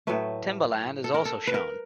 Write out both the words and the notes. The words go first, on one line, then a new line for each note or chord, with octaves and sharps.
Timbaland is also shown.
A2 F#3 A3 B4
A4
A#4
A4
B4
A#4